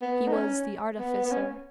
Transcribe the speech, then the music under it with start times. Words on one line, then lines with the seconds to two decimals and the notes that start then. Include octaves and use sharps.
He was the artificer.
0.02 B3
0.27 D#4
0.33 C#4
0.99 B3
1.25 B3
1.31 C#4